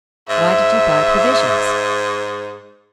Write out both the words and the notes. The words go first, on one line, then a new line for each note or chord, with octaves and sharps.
"Why did you buy provisions?"
G#2 E5